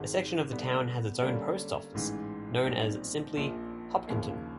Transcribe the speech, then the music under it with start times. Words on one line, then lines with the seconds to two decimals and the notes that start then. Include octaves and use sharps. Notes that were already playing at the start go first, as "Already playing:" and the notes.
A section of the town has its own post office known as simply Hopkinton.
Already playing: G#1 G#2 D#3 G#3
0.51 D3 G3 B3
1.22 D3 G3 A#3 C#4
1.94 A1 G#2 E3
2.65 B1 A#2 G3 C4 D#4
3.36 A#1 A#2 F3
4.08 D#2 C#3 F3 A#3